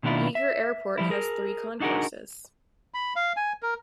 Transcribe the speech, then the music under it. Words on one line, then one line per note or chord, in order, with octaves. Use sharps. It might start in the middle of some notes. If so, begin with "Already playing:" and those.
Yeager Airport has three concourses.
B2 D#3 A#3 D4 E4 F4
E5
F3 G3 E4
G#4 A#4
D4 D#4 F#4 G#4 A#4
B5
F5
G#5
A#4